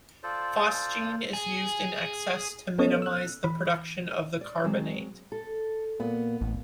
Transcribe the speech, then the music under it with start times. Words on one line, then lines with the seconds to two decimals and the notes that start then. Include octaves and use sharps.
Phosgene is used in excess to minimise the production of the carbonate.
0.23 F4 A4 C5 D5
1.34 G#4
2.79 B3 C#4 A4 C#5 D#5
3.02 E6 F#6
3.44 E3 B5
4.41 D5
4.64 F#3 G#3 C4
5.32 A4
6.00 A#2 B3
6.41 A1